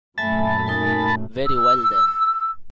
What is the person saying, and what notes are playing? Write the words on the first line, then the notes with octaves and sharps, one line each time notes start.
Very well, then.
F#2 A#2 A3 E5 G#5 A5 B5 A6
D#4 A#4 G#5
E6